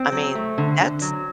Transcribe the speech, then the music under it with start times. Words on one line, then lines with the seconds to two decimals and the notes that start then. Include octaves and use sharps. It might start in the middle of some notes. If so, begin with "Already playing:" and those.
I mean, that's
Already playing: C4
0.12 F#3
0.35 A3
0.58 D3
0.79 D3
1.02 F#3